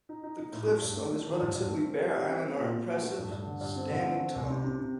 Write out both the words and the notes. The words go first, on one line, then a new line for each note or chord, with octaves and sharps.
The cliffs on this relatively bare island are impressive, standing tall.
D#4
D#4
D#4
A2
A3
G2
A3
A3
D#3
G2
G2
A3
C4
G3
G3
C4
C4
A#2
A#2
F#4
A3
G2
G2
D3
G2
C4
D3
A3
C4
C2
C3
C3
C3